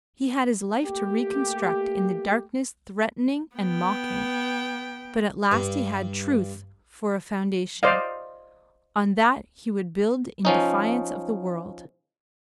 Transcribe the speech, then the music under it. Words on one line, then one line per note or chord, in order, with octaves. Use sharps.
He had his life to reconstruct in the darkness threatening and mocking; but at last he had truth for a foundation; on that he would build in defiance of the world.
A3 A#3 G4
B3 G5
G2
C5 D5 D#5 F5
F3 C#4 D#4